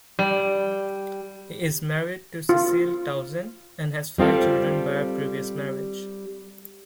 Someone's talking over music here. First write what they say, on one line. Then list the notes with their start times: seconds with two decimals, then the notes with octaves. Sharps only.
He is married to Cecile Tauzin and has five children by a previous marriage.
0.19 G3
2.49 F4
4.18 G3 C4 F4 A4